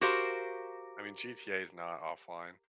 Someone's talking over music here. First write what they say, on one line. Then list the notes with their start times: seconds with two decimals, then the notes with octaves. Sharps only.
I mean, GTA is not offline.
0.01 F#4 G4 A#4 C5 F5